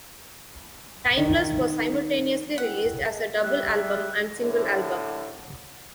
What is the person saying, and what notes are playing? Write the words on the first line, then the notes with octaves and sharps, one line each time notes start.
"Timeless" was simultaneously released as a double album and single album.
D#3
E4 F#5 G5
G#4 D#5 G#5
G3 E5 F#6
A2 D3